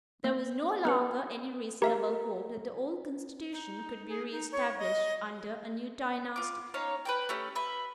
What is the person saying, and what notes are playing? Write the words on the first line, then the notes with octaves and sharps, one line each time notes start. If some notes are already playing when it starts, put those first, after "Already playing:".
There was no longer any reasonable hope that the old constitution could be reestablished under a new dynasty.
A#3
B3 B4 F#5
G4 A#4 E5 F5
D#4
G#4
D#4
C#5
D#5
F4 D6
C#4 D#4 C#5 F5
B4 C5 G5
A3 C#4 G4
B4 E5